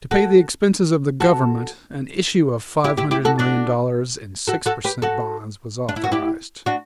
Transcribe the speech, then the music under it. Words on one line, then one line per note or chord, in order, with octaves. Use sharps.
To pay the expenses of the Government an issue of five hundred million dollars in six per cent. bonds was authorized.
F#4 A4
F#4 A4
E4 G4
E4 G4
E4 G4
F#4 A4
D4 F#4
F#4 A4
F#4 A4
G4 B4
F#4 A4
D4
E4
F#4
E4 G4
D4 F#4